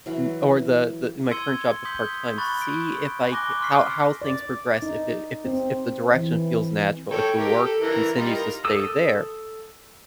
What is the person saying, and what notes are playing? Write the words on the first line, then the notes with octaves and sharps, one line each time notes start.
n or the the, in my current job to part-time, see if I ca how how things progress, if it if it's if the direction feels natural, if the work continues to stay there.
E3 F#3
C6 E6 G#6 C#7 D#7 G7
C6 D#6 G6 B6 G7
B5 C#6 F#6 A6 G7
D7
G#5 D6 F#6 A#6 G7
C6 C#6 F6 B6 C7
D5
D#4
C4
E3
A4 C#5 G5
G4 A#4
A4
E3 A#4
G3 D#4 F4
A#4
A4 D#6 E6